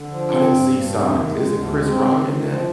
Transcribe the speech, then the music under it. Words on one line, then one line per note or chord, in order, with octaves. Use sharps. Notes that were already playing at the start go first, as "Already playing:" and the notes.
I didn't see signs, isn't Chris Rock in that?
Already playing: D3
F3
C4
G2
G2
C3
D#3
G#3
D2
G#3
C4
D#3
D#3
F3